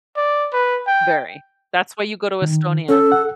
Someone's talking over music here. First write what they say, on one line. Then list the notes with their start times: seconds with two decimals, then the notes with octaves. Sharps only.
Very. That's why you go to Estonia.
0.17 D5
0.53 B4
0.87 G5
2.42 D#3
2.89 C#4 A4
3.12 F#5